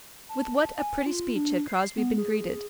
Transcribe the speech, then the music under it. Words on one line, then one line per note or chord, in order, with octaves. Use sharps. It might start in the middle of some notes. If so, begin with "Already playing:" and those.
With what a pretty speech had Crosbie been greeted!
A5
G#5
F4
D4
C7
B3
G#4